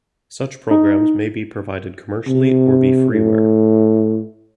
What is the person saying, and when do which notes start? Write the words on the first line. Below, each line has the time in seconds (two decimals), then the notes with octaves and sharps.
Such programs may be provided commercially or be freeware.
0.71 D#4
2.27 C3
3.12 A2